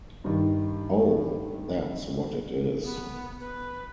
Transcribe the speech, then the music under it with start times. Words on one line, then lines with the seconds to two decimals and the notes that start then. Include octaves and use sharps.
Oh, that's what it is.
0.24 G2 D#3
2.84 B3
3.40 B4